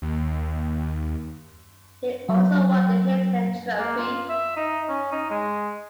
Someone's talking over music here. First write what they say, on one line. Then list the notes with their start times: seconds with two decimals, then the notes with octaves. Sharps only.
He also won the Heisman Trophy.
0.02 D#2
2.29 F#3
3.79 A#3
3.98 F4
4.29 E5
4.56 D#4
4.89 C#4
5.12 D#4
5.30 G#3